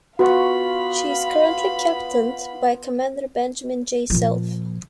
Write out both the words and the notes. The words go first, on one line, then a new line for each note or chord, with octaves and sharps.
She is currently captained by Commander Benjamin J. Selph.
B3 F4 F#4 F5 B5 C#6
A#2 F3